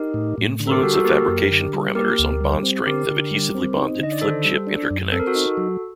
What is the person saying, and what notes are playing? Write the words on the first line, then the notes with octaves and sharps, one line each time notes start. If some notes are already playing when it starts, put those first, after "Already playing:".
Influence of fabrication parameters on bond strength of adhesively bonded flip-chip interconnects.
Already playing: D#4 G4 A#4
A2
A2
D3
A4
G4 A#4
G3 F#4 A4
F#4 A4
A#3 G4 A#4
F#2
D3
G3
A#3 G4 A#4
D2
G3
C4
D3 G4 A#4
D3
G3
C4
D#4
D3 D#5
D5
D#3 A4 C5
G3
D4
F#2
C4 A4
A#4
F#4 A4
D#4
F#3